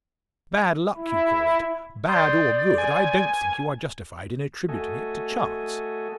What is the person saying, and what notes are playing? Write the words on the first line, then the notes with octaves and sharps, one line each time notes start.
Bad luck, you call it. Bad or good, I don't think you are justified in attributing it to chance.
E4
D5 C6 D#6 G6
G#5
A3 F#4 A4 D#5 G#5